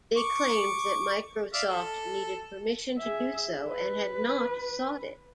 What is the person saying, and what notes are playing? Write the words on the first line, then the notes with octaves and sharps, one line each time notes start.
They claimed that Microsoft needed permission to do so and had not sought it.
C#6 D6
D5 E5 F5
A4
G#4 E5
B4